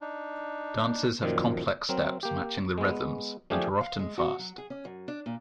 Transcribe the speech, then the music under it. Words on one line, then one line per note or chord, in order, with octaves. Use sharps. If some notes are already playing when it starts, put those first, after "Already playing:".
Dances have complex steps matching the rhythms, and are often fast.
D4 D#4
F#2 A#2 D#3 F3
F#3 C4 A#4
A#3 G4
G#3 B3
F3 A3 D4 G4 G#4
F5
G#3
F#4
F#3
G#4
C#4
F#2
D4
A#2